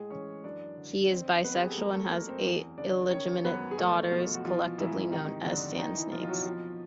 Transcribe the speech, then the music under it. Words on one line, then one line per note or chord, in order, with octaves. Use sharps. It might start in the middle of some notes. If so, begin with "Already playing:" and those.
He is bisexual and has eight illegitimate daughters, collectively known as the "Sand Snakes".
Already playing: A2 G#3 G#4
E3 C#4 C#5
F#2 D4 D5
D3
F2 C4 C5
F2 B3 B4
G4
G#4
A4
F#2 A#3 A#4
A3 A4
F#2 A#3 A#4
C4 C5
E2
C#3 D4 D5
D#3 C#4 C#5
F#2 B3 B4
G#4
B2 A3 A4
B2 F3 F4
F#4
E3 F3 F4
G#2 E3 E4
C3 D#3 D#4
F2 D3 D4
E2 D#3 D#4
E3 E4
B2 F3 F4
F4
F#3 F#4
F2 F3 F4